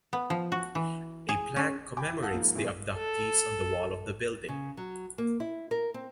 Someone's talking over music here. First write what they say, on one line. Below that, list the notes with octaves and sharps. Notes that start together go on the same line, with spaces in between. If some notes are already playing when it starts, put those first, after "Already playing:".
A plaque commemorates the abductees on the wall of the building.
B3
F3
F#4
E3
G#4
C#4
G5 G#5 B5 D6
E4
F5 F#5 A5 D#6 E6 G6
G#2 F3 G#3 A#3
A1 B2 G#4
A4
C#3
F#3
A#3
E4
A#4
C4